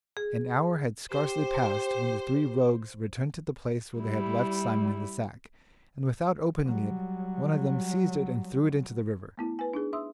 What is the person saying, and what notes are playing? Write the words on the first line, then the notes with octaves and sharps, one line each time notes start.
An hour had scarcely passed when the three rogues returned to the place where they had left Simon in the sack, and without opening it, one of them seized it and threw it into the river.
G#4
G4 C5
G3 E4
F#3 G3
A3 B3 E4
B4 G#5
D4 D#4 G#4
E5 C6 D#6 E6